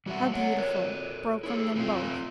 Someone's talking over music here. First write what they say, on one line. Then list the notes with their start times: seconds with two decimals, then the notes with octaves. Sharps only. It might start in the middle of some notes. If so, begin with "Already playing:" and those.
'How beautiful!' broke from them both.
0.06 G3 F#4 D5 E5 F#5
0.33 A4 C#5 F#5
0.58 A4 A#4 C#5
1.43 E4 G#4 A4
1.76 A3 C4 F4 F5